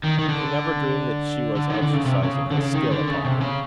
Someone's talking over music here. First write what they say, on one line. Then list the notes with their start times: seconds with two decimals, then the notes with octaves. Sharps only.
He never dreamed that she was exercising her skill upon him.
0.04 D#3
0.19 D#3
0.29 D3
1.55 D3
1.70 D#3
1.82 D3
1.95 C#3
2.06 C3
2.23 C#3
2.51 D3
2.56 C#3
2.74 D#3
2.91 D3
3.08 C#3
3.25 C3
3.41 C#3